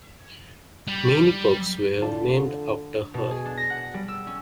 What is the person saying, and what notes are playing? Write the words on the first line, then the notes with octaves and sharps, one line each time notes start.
Many pubs were named after her.
G3
D3 F4 D5 A5
B2
G#4
D4
A#6
F#5
G3
E6
C#4